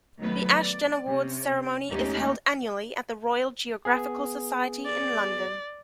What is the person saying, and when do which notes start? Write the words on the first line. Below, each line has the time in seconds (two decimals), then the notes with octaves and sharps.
The Ashden Awards ceremony is held annually at the Royal Geographical Society in London.
0.19 D#3 F#3 A3 B3 B4
0.56 D5
1.07 C3 C#4
1.90 D#2 G#3 A3 C#4 D#4 G4
3.85 B3 G#4
4.86 D5